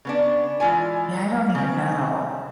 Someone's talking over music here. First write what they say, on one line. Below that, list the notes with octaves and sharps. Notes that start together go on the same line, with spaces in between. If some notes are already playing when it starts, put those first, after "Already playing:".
Yeah, I don't even know.
C#3 B3 D4
E3 G#3 D4 F4 D5 G#5
C#3 C4